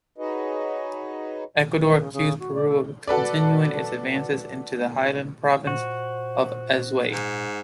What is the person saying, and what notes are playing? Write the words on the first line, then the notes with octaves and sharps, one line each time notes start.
Ecuador accused Peru of continuing its advances into the highland province of Azuay.
D#4 F#4 G#4 B4 C#5 D#5
E3
C#3
C#3
F#4
D5
A4
F#4 A4 B4 D5
A#2 F#4 C5
G#2